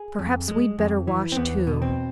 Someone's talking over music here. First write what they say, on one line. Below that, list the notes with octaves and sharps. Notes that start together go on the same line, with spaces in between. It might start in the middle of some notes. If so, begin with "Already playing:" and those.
Perhaps we'd better wash too.
Already playing: G#4
F2
G#3
F2
E3
C4
E2 B3
B2
C4